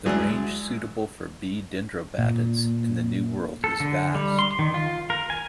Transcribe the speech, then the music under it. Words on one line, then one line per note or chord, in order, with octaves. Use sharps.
The range suitable for "B. dendrobatidis" in the New World is vast.
D2 E3 F#3 G#3 D4 G#4
A#2
A4
D3
G3
C6
D#3
F4
A#4
G#5